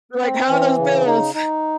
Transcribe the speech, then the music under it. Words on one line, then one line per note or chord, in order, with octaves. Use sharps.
Like, how are those bills?
C4
E3
C#3
D#4
D#4